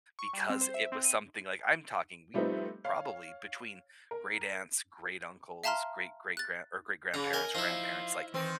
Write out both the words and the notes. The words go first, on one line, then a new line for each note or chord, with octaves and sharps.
because it was something, like, I'm talking, we probably, between great-aunts, great-uncles, great-great-grand or great-grandparents, grandparents, like,
C#6
G3
C4
C5
E5
C4
D#7
F3 G3 A3 B3 C4 D#4
C#5 F5
A#4
E5 F5 A5 A#5 C6 F6
F#6 A6
C#3 A#5
A#4 D#5 G#5
F3 D#4 E4 F5
D#3 E3 C4